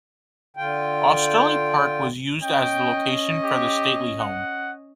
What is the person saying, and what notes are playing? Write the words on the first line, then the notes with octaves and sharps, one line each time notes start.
Osterley Park was used as the location for the stately home.
D3 F4 G5
C#4 D#5 G5
G4
F#5